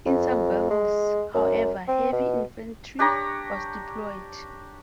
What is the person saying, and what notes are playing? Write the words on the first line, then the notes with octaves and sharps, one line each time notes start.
In some battles, however, heavy infantry was deployed.
F2
G#3
F#2
C4
B2
D4 G4 C#5 A#5